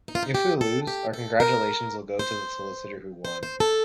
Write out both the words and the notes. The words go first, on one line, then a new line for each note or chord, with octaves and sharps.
If we lose, our congratulations will go to the solicitor who won.
D#4
F4
D#4
G4
A4
G4
A4
A#4
C5
C5
C5
A4